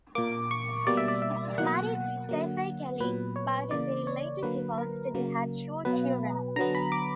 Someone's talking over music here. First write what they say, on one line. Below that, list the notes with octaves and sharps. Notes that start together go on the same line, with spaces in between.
He was married to Casey Kelley, but they later divorced; they had two children.
A#2 A#3 D6
C#6
B2 G3 A#3 D5
E5
D5
E5
B2 F#3 A#3 F#5
D3 F#3 A#3
A#2 F#3 B3 B4
C#5
C#3 E3 A#3 D5
C#5
D3 F#3 A#3 B4
A#4
C#3 F#3 A#3
B2 F#3 B3 B4
D3 F#3 B3 A#5
B5
D6